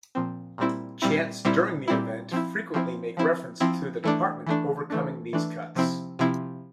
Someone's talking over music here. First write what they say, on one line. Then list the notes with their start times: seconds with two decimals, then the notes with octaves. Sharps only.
Chants during the event frequently make reference to the department overcoming these cuts.
0.15 A#2 F3 C4
0.58 A#2 G3 C4 E4
1.02 A#2 G3 C4 E4
1.45 A#2 G3 C4 E4
1.88 A#2 G3 C4 E4
2.32 F3 C4 E4
2.74 F3 C4 E4
3.17 F3 C4 E4
3.60 F3 C4 E4
4.04 E3 A3 D4
4.46 E3 A3 D4
4.90 E3 A3 D4
5.33 E3 A3 D4
5.75 C3 F3 C4 E4
6.19 C3 F3 C4 E4